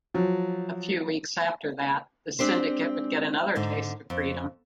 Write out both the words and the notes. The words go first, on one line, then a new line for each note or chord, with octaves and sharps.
A few weeks after that, the Syndicate would get another taste of freedom.
F3 F#3
G#3 C4 D4 G4 C5
G#2 D3 D#4
F2